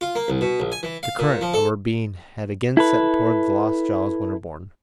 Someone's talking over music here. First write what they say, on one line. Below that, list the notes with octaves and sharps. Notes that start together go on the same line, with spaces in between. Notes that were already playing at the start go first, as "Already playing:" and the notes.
The current of her being had again set towards the lost Giles Winterborne.
F4
A#3
C2
B2
A#1
G#5
E3
F5
A#2
F3
A4
E4 A4 B4